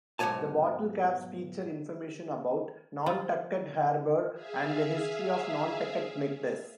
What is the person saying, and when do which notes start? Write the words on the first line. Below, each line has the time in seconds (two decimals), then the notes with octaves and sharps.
The bottle caps feature information about Nantucket Harbor and the history of Nantucket Nectars.
0.19 B1 G#2 F#3 C#5 G#5 A5
3.06 F3
4.34 G#4 E5 F5